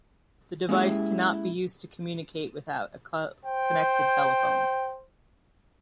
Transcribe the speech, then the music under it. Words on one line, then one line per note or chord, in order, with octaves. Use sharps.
The device cannot be used to communicate without a connected telephone.
G#3 A#3 C#4 E4 G4 G#4
C5 G5